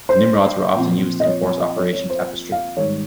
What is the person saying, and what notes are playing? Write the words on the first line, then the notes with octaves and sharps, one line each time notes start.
The Nimrods were often used to enforce Operation Tapestry.
C5
A#2 F3 C4
D#5
C#5
C#5
D#5
C#5
C#5
C5
F5
G#2 D#3 G3 C#5